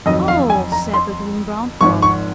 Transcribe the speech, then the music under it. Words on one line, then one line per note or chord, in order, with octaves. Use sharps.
"Oh!" said the Green Brown Frog.
F2 D#3 F#3 D#5
F5
G#5
A#5
C6
G#1 G#2 F3 C#6
C#6